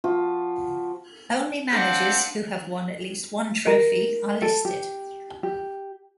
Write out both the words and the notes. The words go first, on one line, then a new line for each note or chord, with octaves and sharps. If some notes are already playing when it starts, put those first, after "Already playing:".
Only managers who have won at least one trophy are listed.
F3 F4 F#4
C4 D4 F5 F#5
A#4
A4
G4
G4